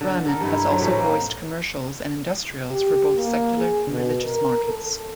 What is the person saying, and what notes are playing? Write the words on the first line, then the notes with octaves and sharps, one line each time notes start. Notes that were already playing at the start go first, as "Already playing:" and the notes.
Brannan has also voiced commercials and industrials for both secular and religious markets.
D3
A4 A#4
G2 D#4 E4
F#3 A3 C4
A2 E3 A3 D#4
A#3
G4
A#3
G#4
B2
A#4
A4